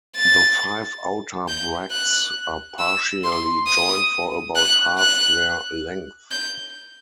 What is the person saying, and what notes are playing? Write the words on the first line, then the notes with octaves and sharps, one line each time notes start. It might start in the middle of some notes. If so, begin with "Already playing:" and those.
The five outer bracts are partially joined for about half their length.
A6
G6
F#6
E6
C6
D#6
F#6
F#6
G6